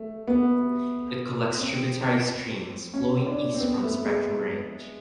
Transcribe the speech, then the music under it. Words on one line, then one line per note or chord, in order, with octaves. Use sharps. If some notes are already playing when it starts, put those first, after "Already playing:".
It collects tributary streams flowing east from the Spectrum Range.
Already playing: A3
B3
C4
C#4
D4
C4
B3
A3
G#3